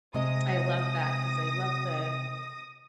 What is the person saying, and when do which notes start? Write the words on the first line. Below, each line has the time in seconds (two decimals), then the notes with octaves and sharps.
I love that 'cause I love the
0.14 C3 G#3 D#5 D#6 A#6